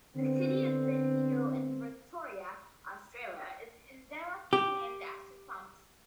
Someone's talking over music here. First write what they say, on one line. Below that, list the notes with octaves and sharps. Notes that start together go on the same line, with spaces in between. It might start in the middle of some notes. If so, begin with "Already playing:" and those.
The city of Bendigo in Victoria, Australia is indirectly named after Thompson.
D3 B3 C4
G4